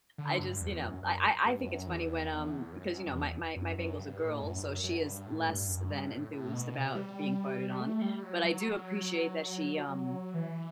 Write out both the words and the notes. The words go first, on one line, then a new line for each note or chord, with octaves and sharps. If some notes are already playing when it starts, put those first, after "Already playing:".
I just, you know, I I I think it's funny when, um 'cause, you know, my my my Bengal's a girl, so she is less than enthused about being farted on, but I do appreciate that she, um,
D3
G2
E2
F#2
F#2
G2
E2
F#2
E2
F#2
F#2
F#2
E2
F#2
F#2
G2
A2
F#2
G2
F#2
F#2
G2
A2
G2
F#2
G2
A2
A2
B2
C3
G3
A3
G3
F#3
F#3
E3